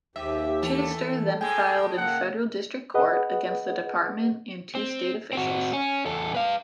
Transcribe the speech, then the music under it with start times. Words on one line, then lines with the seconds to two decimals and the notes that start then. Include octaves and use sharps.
Chittister then filed in federal district court against the Department and two state officials.
0.16 D#2 G#2 G4 E5
0.63 E3 A3
1.41 A2 G#3 G#4 G5 G#5
1.97 C#3 A#3 F#5 A#5
2.94 G#4 B4 D#5 F#5
4.75 C4
5.33 C4 F#4
5.73 C#4
6.06 E2 A4
6.35 B4 F5